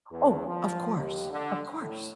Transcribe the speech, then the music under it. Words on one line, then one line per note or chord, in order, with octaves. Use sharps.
Oh, of course, of course.
E2
F3
D#2
D3
A2